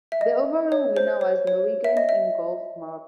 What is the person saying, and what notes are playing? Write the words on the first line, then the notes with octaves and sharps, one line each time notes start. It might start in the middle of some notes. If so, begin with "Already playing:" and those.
The overall winner was Norwegian Ingolf Mork.
E5
D#5
C#5
C5
C#5
C#5
E5
D#5
E5